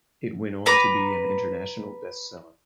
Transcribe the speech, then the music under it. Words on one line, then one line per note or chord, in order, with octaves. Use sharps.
It went on to be an international bestseller.
B4 A#5 D6